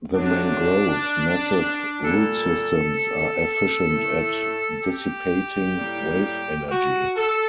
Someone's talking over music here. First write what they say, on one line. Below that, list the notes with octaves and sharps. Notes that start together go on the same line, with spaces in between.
The mangroves' massive root systems are efficient at dissipating wave energy.
C3 F#3 A3 D4
A#2 G3 A#3 A4
A2 A3
G4
A2 G3 A#3
F#4
A4